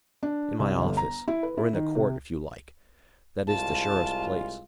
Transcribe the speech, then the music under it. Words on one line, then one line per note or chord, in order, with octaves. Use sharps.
"In my office, or in the court, if you like,--that is the surest place."
D4
C2
G1
A#5
E4
B4
E4
D#3
C3
C2 G#3 F4 A5